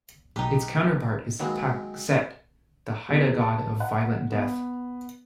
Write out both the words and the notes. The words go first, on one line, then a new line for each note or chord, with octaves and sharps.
Its counterpart is Ta'xet, the Haida God of violent death.
B1 D#4 G4 B4
D#3 F#3 G#3 A#3 C4 B4
E2
A5
F#5
B3